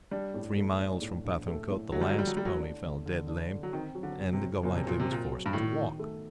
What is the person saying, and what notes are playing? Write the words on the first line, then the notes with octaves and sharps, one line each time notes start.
Three miles from Pathankote the last pony fell dead lame, and Golightly was forced to walk.
G3 D4
A2
A3
D4
A2
A#1
A3
A2
D3 F#3
G3
F#3
G3 A3
F#3
G3 A3
F#3
D4
D3
D3
D4
D3
F#3
D#3 C4
F#3
D3
F#1
C3
F#3
F#1 A#2
C3
A#2 F#3
C3
A#2 C4
F#3
G2
A2 D#3
D#3
A3